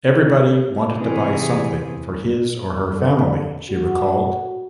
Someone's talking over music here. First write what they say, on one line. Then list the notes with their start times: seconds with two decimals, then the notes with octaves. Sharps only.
"Everybody wanted to buy something for his or her family," she recalled.
0.94 C3 D#3 E3 G#4
2.96 D3
3.70 F#4